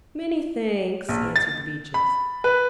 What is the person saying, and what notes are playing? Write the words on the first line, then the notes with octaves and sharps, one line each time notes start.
"Many thanks," answered the Beeches.
A#1
A6
B5
B4